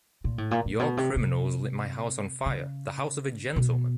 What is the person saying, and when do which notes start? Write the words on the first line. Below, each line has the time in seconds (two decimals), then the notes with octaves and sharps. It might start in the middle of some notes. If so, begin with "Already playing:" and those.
Your criminals lit my house on fire, the house of a gentleman.
0.24 A#2
0.38 A2
0.51 A#2
0.66 A#2
0.79 B2
0.97 C3
1.16 C3
2.46 C#3
3.56 B2